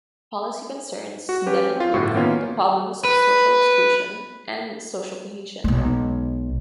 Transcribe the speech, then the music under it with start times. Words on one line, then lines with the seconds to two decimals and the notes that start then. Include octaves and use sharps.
Policy concerns then include the problems of social exclusion and social cohesion.
1.29 F#4
1.46 C#4 G4 B4
1.77 C4 F4
1.93 G1 A2 F#4
2.14 D#3 A#3 B3 C#4 F4
3.05 B4
5.64 B1 G#3